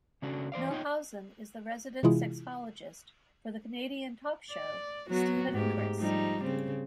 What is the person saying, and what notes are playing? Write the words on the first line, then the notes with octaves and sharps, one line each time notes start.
Milhausen is the resident sexologist for the Canadian talk show "Steven and Chris".
C#3 C#4 D4 F#4 A4
E3 C5 D5 F5
D#4 F4 C#5 D#5 G5
C3 E3 G#3 E4 F4 G#4
D5
F#3 B3 F#4
G#2 A3 G4
F3 G3 D#4
C#3 C4